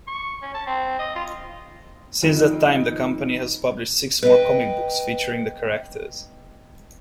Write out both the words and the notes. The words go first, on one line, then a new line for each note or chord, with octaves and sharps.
Since that time the company has published six more comic books featuring the characters.
C#6
C#4
A5
C4
D#5
F4
F2 D#3 D#4 D#5
B4 D#5 E5 G5